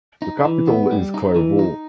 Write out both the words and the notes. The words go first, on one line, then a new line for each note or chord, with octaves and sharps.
The capital is Clervaux.
D#4
E3
B3
G3
D#4
E3
D#4